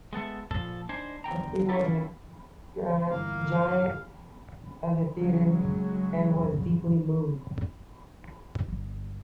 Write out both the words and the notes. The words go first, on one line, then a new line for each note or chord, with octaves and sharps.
He was a giant of the theater and was deeply mourned.
G#3 B3 A4 E5
A#2 F3 A4
D4 D#4 C5 G#5
E2 D3 G5 A#5
C#4 E4 F4 G4 A4 B4
G1 E3 A#3 F5
A2 C#3 F#3 G#3
G1